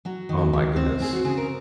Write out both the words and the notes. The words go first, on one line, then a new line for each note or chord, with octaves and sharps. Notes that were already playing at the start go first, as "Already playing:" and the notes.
Oh my goodness.
F#3 F#4
D#3
D#3
C4
C4 G#4
F#4
C#3 G#4
A#4